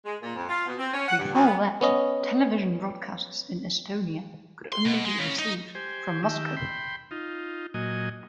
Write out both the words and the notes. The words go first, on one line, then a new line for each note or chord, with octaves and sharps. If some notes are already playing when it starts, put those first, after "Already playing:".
Before that, television broadcasts in Estonia could only be received from Moscow.
G#3
A#2
F2
F4
B2
C4
C#4
F#5
G2
D2
B3
B3 C#4 D#5
C6
B2
G#3
C#3
D#4
G4 C5 G#5
D#3 G4 E6
G5 B5 C6
D#4 F4
A#2 F#3 D#5 G#5